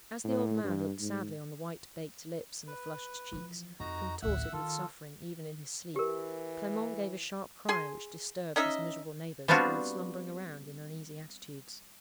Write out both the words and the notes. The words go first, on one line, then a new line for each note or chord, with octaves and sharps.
As the old man looked sadly on the white, baked lips, and the flushed cheeks, contorted with suffering even in his sleep, Clement gave a sharp cry which disturbed his miserable neighbours, all slumbering around in uneasy attitudes.
A2
G2
G#2
B4
E3 F3
F2 D#4 F#4 A#5
A1 D2 E5 F#5 E6
D#3 F4 A4
E3 G4 A#4
G#4 G#5 C6
C#4 D#4 D#5 E5
G3 B3 C4 D4 F4 F#4